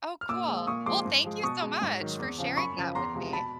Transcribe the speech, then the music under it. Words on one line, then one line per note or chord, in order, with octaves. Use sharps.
Oh, cool. Well, thank you so much for sharing that with me.
F6
A#2 D6 E6
F3 G#3
A#2 C#6 D#6
F3 G#3 C6 D6
G#2
F3 G#3
B2 C#6 D#6
G#3
G#2
D#3 F#3
E2
C#3 F3
F#2 B5 C#6
C#3 F3
E2 A#5 C6
C3 F3 G#3
B2 A5 B5